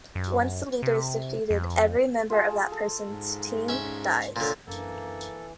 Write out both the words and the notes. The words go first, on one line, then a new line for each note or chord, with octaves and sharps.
Once the leader is defeated, every member of that person's team dies.
F#2
C3
F2
F4 G#4 A5
A4
G#2
C#4 E5
A#2 D3 C5 C#5
F#2 E3 A#3 D4 A4